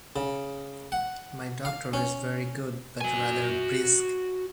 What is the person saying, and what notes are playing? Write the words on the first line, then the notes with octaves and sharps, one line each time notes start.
My doctor is very good but rather brisk.
C#3
F#5
F5
C#4
F#4 G#5